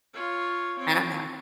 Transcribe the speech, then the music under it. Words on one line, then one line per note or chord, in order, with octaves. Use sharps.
I don't know.
F4 C#5
C4 C#5